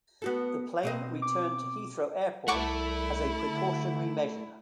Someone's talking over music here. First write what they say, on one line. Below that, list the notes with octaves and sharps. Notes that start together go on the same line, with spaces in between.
The plane returned to Heathrow Airport as a "precautionary measure".
B3 F#4 A4
B2 C4 D#5
D6
C2 A3 E4 A4 F#5 C#6 D6
D3